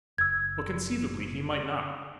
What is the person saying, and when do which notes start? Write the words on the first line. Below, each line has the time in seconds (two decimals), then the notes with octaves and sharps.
But conceivably he might not.
0.18 F#1 E6 G#6